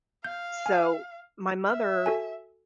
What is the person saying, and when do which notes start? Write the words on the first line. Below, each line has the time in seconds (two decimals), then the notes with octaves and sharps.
So, my mother
0.24 F5 G6
0.66 G#5
1.70 E5 F6
2.06 F#4 A4 G#5